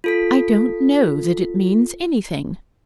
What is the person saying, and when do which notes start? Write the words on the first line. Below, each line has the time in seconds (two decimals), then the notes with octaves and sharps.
'I don't know that it means anything.
0.04 F4 A4 B6